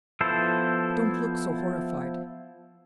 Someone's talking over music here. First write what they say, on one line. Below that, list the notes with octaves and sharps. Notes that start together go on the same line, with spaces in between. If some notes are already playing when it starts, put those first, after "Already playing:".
Don't look so horrified.
F3 B3 E4 A4 C5